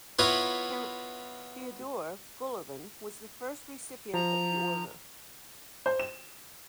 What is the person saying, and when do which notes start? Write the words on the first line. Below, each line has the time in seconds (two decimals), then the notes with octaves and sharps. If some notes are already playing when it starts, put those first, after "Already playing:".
Count Fyodor Golovin was the first recipient of the order.
0.19 B3 E4 F4 C#5 A#5
4.14 F3 A#5
5.86 C5
6.00 E7